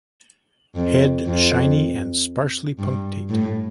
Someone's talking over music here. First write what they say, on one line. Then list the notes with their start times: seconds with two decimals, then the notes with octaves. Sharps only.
Head shiny and sparsely punctate.
0.76 F2
1.26 F2
2.79 G2
3.30 A2